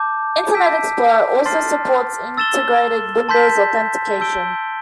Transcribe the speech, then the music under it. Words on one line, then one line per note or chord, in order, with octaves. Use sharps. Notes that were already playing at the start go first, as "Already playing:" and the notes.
Internet Explorer also supports Integrated Windows Authentication.
Already playing: A5 D6 G6
A5 E6 G6 B6 D7
A5 C6 F6 A6 C7
E6 A6 E7 G7
A5 C6 G6 B6
A5 E6 G6 D7 G7